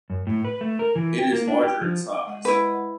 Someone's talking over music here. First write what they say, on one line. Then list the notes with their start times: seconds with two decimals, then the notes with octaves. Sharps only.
It is larger in size.
0.10 F#2
0.27 A2
0.45 B4
0.61 A3
0.79 A#4
0.96 E3
1.19 G4
1.33 A#3
1.48 D4
1.63 G4
1.81 F3
2.27 G#3 D#5 F#5
2.45 E4 B4